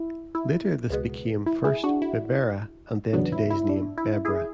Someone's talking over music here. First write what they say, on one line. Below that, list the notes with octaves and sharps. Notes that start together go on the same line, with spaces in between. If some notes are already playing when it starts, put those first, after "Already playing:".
Later this became first "Bibera", and then today's name Bebra.
Already playing: E4
E4
C#2 B2 G#3 B3
E4
E4 G#4
D4 F#4
E4
E2 C#3 F#3 B3 D4
E4
E4
D4
E4
E4 G#4